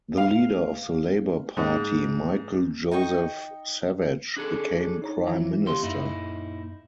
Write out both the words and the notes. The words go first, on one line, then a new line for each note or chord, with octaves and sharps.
The leader of the Labour Party, Michael Joseph Savage, became Prime Minister.
F5
G#2
D#4 D#5 G5 C#6
D4 G#4 A4
D#4 C#5 A#5
E3 E4
G3 A#3 G4 C6
F#2 A#2 D#4 E4